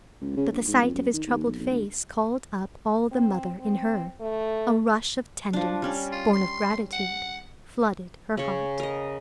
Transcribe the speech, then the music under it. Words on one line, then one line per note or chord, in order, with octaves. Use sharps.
But the sight of his troubled face called up all the mother in her; a rush of tenderness, born of gratitude, flooded her heart.
C#2
C#3
A#1
G#2
F2
F#2
D#3
D#2
B1
B1
D2
C4
C4
A3
F3 D4
G3 C#4 D5
F4
C6
F#5
C#3 C#5
A#4 D#5